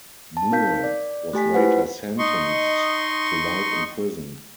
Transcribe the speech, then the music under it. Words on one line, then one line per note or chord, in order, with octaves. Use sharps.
Moore was later sentenced to life in prison.
A5
C4 D#4 A#4 F5 G6 B6
D5
A3 G4 G#5 B6
E4 F4 B4 C5 F#5
D#4 D#5 C6 C#6